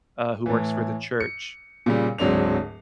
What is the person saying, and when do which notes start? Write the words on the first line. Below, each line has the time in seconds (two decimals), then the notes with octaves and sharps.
uh, who works for the church,
0.46 A2 E3
1.20 C#7
1.86 A#2 C#3 G3
2.18 D1 G#2 F#3 C4 D4 F7